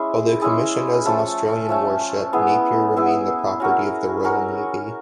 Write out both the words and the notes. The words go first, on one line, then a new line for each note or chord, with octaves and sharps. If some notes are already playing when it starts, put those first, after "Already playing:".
Although commissioned as an Australian warship, "Napier" remained the property of the Royal Navy.
Already playing: G#3 C#4 E4 G#4
G#3 C#4 E4 G#4
F3 A3 C#4
F3 A3 C#4
B3 E4 G#4
B3 E4 G#4
C#4 F#4 A#4
C#4 F#4 A#4